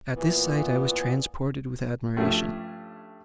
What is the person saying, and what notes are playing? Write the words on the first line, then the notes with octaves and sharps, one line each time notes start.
At this sight I was transported with admiration.
A#2 E3 B3
G2 F3 A3 C#4